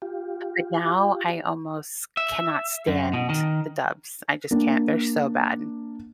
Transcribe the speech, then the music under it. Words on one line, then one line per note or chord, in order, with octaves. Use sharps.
but now I almost cannot stand the dubs, I just can’t, they’re so bad.
F4 G4
E5
F#2
B2
D#3
A#3 D4